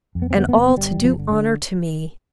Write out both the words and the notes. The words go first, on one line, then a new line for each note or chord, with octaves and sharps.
And all to do honour to me!'
F2
B3
C4
D3 B3
B3
G1
G1 G3
G1
F3
D3
D3